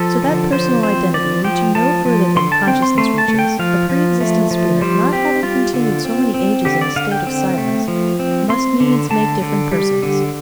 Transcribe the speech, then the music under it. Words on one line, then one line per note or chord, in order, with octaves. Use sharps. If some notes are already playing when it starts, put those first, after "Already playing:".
So that personal identity, reaching no further than consciousness reaches, a pre-existent spirit not having continued so many ages in a state of silence, must needs make different persons.
Already playing: F3 A4
D3
F3 C5
C4 C5
F3 D5
F3 G5
F3 A5
F3
D3 C6
A5
C4 G5
C6
A3 C6
A5
A3
G5
F3 F5
F3
A3
F3
G3 C5
C4 G4
G3 F4
D3
C4
C4
D3 G4
D5
D3 F5
G5
C4
A3
F3
C4
C4 C6
D3
D3 A5
D3
G3
D3